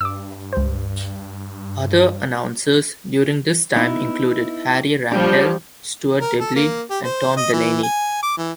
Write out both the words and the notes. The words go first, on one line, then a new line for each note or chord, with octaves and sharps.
Other announcers during this time included Harry Randall, Stuart Dibbley and Tom Delaney.
G2 D6 E6
C#2 C5
B3 D#4 E4
F3 G3 D4 G4
A#4
A4
A#3
G4
C5
D#5
E3
G#5
D6
E3